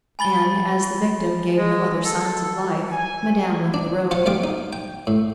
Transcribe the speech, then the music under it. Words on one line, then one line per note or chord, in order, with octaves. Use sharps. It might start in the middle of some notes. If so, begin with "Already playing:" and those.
And as the victim gave no other signs of life, Madame left the room.
G#5 B5 A6 G7
G#3
A4
G#5
D4
F4 C5 F5 F#5
B1 G3 F5 D6
D#4
G5
A2